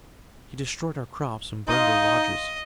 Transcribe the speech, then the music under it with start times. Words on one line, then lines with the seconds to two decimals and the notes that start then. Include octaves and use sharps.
He destroyed our crops, and burned our lodges.
1.68 D#4 D#5 F5 C6